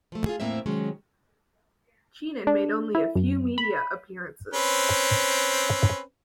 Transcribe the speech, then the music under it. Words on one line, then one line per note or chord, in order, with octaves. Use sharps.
Chinen made only a few media appearances.
F3 A3
F4 G#4
E2 A2 A#3 C4 C5 E5
C3 D#3 F#3 G#3 C#4
D4
E4
F#2
B5
C4 C#4 B4